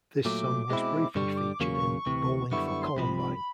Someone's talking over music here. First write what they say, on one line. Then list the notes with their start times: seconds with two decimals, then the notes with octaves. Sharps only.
This song was briefly featured in "Bowling for Columbine".
0.25 A#2 F#3 A3 D6
0.70 B2 G#3 C4 E4
1.15 G2 D3 G3 C#6
1.37 D6
1.60 E2 C#3 F#3 A#3 C#6
2.06 D2 C3 E3
2.51 F#2 D3 G3 B3 E4 C#6
2.67 C#6
2.82 C6
2.96 C2 C3 F3 B5